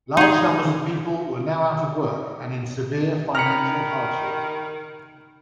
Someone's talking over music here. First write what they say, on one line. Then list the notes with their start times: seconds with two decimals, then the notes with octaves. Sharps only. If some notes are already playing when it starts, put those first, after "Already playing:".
Large numbers of people were now out of work and in severe financial hardship.
0.17 D#4 G#4
3.35 D#3 A#5 B5 F6 C#7